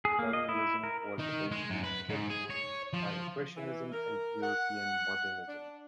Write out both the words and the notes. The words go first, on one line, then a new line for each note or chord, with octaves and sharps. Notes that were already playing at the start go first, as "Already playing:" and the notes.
Tonalism was eventually eclipsed by Impressionism and European modernism.
G#4
A#3
D#5
E4
A#4
D#3
G#3
F#2
B4
G#2
G#4
C#5
F3
E3
A#4
F#5
D4